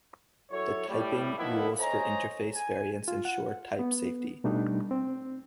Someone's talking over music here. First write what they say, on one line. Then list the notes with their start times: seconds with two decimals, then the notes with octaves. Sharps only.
The typing rules for interface variance ensure type safety.
0.51 F#3 E4 A4 C#5
0.88 A2 G3
1.37 D#3 F3 A#3 B3 E4
1.80 C5 C#5 D#5 G#5 A#5
2.54 G#5
3.08 F4
3.25 F#5
3.79 B3
4.44 B2 G3 A3 D4 D#4
4.91 C4